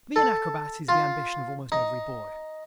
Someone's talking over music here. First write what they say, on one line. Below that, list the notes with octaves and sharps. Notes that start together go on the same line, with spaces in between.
To be an acrobat is the ambition of almost every boy.
A4
F4
D#4